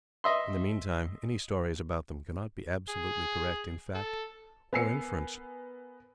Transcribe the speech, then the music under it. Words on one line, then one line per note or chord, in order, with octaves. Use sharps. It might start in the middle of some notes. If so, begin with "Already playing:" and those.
In the meantime, any stories about them cannot be absolutely correct in fact or inference.
D#5 E5 C6
G#4
A4
B3 A#4 G#5 E6 C7 C#7